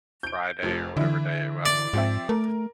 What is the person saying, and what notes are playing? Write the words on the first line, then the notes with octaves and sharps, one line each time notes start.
Friday or whatever day I don't know what day it came out.
G6 D7
F1 F3
D3 E3 E4
D5
G#2 F3 C4 E5
A3 A#4